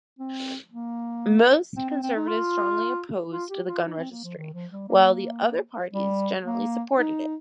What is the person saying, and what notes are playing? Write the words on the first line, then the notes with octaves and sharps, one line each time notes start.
Most Conservatives strongly opposed the gun registry, while the other parties generally supported it.
C4
A#3
C4
C4
C4
D#4
F4
F4
G4
F4
D#4
C4
A#3
F3
D#3
F3
G3
A#3
G3
A#3
D#4